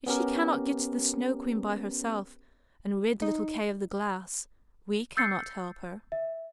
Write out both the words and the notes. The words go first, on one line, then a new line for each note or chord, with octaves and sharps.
If she cannot get to the Snow Queen by herself, and rid little Kay of the glass, we cannot help her.
B3 C#4 G4 A#4
D#4
E6 G6 A6 C7 C#7
E5